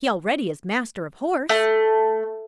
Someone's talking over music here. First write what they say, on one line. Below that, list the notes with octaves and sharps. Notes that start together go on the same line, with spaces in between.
He already is master of horse.
A3